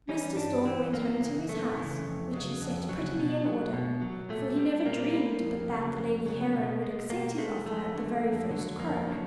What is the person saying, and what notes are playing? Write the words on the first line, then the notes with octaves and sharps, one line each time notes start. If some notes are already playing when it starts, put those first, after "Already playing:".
Mr. Stork went home to his house, which he set prettily in order: for he never dreamed but that the lady Heron would accept his offer at the very first croak.
E3 G3 C#4
G2 D4
E3 G3 C4
F#2 A#3
C#3 E3
F#2 A3
C#3 E3
F2
C#3 F#3
F2
C#3 F#3
B2
F#3
B2
F#3
A#2 A3
G3
A#2 A#3
G3
F2
C#3 F#3
F2
C#3 F#3
B2
G#3
B2 A#3
G#3 A3
F2 A3
D3 F#3
F2
D3 F#3
F2 A#3
D3 F#3